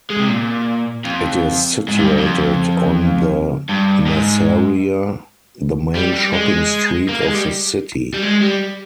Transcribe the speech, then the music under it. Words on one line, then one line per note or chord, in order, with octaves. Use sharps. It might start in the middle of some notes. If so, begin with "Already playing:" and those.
It is situated on the Merceria, the main shopping street of the city.
G#3
C3
A#2
F2
G#2
G2
F2
G2
G#2
G3
G3
G#3
A#3
G#3
G3
G3
G#3
G3